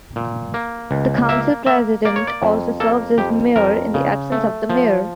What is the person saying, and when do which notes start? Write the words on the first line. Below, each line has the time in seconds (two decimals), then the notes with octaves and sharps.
The council president also serves as mayor, in the absence of the mayor.
0.16 A#2
0.54 A#3
0.91 C#2
1.29 A#3 E5
1.66 A#3 E5
2.05 A#3 D5
2.16 C#5
2.27 D5
2.42 F2
2.80 A#3 A4
3.18 F2 G4
3.56 F2 A#4
3.94 C#3
4.32 A3
4.70 F3